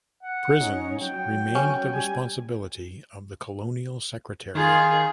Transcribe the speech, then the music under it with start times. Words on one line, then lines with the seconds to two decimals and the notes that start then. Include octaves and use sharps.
Prisons remained the responsibility of the Colonial Secretary.
0.23 F#5
0.60 C#4 D#4
1.01 F#3 G5
1.55 C#4
1.93 G3 G#5
4.55 D#3 F4 G#4